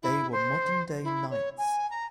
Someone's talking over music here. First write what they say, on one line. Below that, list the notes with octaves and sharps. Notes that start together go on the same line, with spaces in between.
They were modern-day knights.
E4
C5
E4
C#5
G#5
A#5